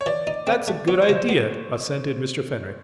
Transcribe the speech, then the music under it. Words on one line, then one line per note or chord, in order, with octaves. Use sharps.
"That's a good idea," assented Mr. Fenwick.
C#5
E3 D5
D#4
C4
A3
B3 C#5
C5
C#3
C5
B3